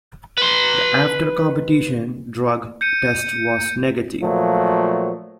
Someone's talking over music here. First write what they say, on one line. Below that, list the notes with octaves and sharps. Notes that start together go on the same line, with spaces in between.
The after-competition drug test was negative.
B4 C6
G6 C#7 D#7
A#2 F3 F#3 A3